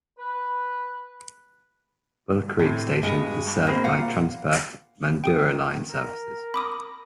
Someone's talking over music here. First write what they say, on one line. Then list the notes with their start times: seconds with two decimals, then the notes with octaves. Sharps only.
Bull Creek station is served by Transperth Mandurah line services.
0.18 B4
2.59 A2 C3 G#5
3.03 G2 B2 G#3
3.67 B2 A#3 C4 G#4
3.84 A#2 F5 F#5
5.24 D#3 G5 D#6
5.88 A#4
6.54 B5 D6 D#6